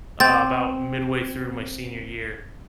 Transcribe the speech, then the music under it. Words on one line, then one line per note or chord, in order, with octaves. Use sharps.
uh, about midway through my senior year.
C4 G6 A6